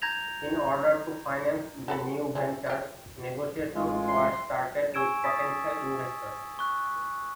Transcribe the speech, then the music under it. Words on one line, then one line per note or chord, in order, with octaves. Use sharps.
In order to finance the new ventures, negotiations were started with potential investors.
A#5 G6 G#6 A#6 F7
F#4 A4 B5
E3 A3 C4
F#4 G4
A1 G#3 F4
C6
G#5 C#6 E6 G#6 D7 E7
C#6 D#6 A6 B6
C#6 F#6